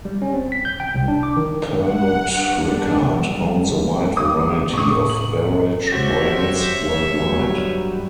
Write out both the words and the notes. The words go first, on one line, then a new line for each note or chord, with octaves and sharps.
Pernod Ricard owns a wide variety of beverage brands worldwide.
G3
C#4
C4
B6
G6
G5
C2
D4
D6
D#3
F#5
G2
D4
E3 F#3 G3
G3
D6 D#6
A2 C#6 D#6
F#7
F#4 G4 C5 C#5 E5
G2 F#3 G3